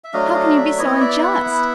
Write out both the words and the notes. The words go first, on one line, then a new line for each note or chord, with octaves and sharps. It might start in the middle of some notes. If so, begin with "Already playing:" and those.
How can you be so unjust?
E5
F#3 A3 D4 D#5 F5
D#5 F5
D5 E5
B3 E4 C#5 D#5
D5 E5
E5 F#5
B3 E4